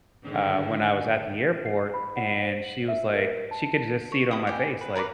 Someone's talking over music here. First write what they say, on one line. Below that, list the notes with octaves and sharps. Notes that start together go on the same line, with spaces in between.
uh, when I was at the airport, and she was, like She could just see it on my face, like,
G#2 D3 D#3
C7
B5
F#5
C5
F#7
E5
A#4
A5
C#5
E4 D#6
G4 G#5
B4
A#4 B4 G#5 D6